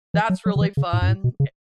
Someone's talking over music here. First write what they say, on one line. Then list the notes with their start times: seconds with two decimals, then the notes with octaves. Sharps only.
that's really fun, eh
0.14 E3
0.30 F#3
0.46 F#3
0.56 C#3
0.61 E3
0.77 C#3
0.93 A2
1.02 F#2
1.08 A2
1.24 B2
1.40 C#3